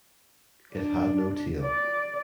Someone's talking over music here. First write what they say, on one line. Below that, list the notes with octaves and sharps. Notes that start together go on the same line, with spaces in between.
It had no tail.
D4
D5